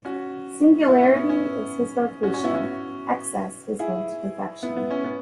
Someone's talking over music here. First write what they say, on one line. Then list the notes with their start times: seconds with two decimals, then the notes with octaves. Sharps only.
Singularity is his vocation, excess his way to perfection.
0.05 C#4 F#4
0.89 B3 E4
1.02 C#4
1.16 B3
1.29 C#4
2.23 C#4 F#4
2.34 C#4
2.44 B3 E4
2.54 C#4 F#4
3.79 E4 G#4
4.62 B3 E4
4.77 B3
4.91 C#4
5.04 B3